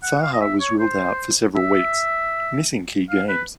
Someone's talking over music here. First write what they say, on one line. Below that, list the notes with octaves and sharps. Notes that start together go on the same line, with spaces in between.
Saha was ruled out for several weeks, missing key games.
F#5
F#5
F5
D#5
E5
C#5
C5
E5
F5
B4